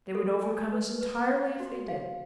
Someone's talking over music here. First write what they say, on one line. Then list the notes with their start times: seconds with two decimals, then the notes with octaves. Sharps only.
They would overcome us entirely if they did.
0.15 A4
0.43 G#5
0.73 B4
1.01 B4
1.30 F5
1.60 F#4
1.88 F5